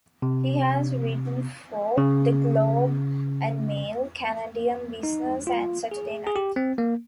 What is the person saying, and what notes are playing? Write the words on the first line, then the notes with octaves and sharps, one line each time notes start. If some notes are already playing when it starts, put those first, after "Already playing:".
He has written for "The Globe and Mail", "Canadian Business" and "Saturday Night".
C3
C#3
D#4
F4
G#4
G#4
G4
C4
A#3